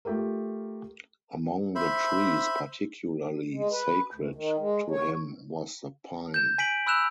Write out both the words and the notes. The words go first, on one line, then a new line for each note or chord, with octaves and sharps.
Among the trees particularly sacred to him was the pine.
A3 F4 G4 A4 A#4
C5 E5 B5
G#3
B4
D2
D#3
G#3
C#5
G6 E7
G#5 B6 D7 F#7
B5 E6 F#6 E7 F7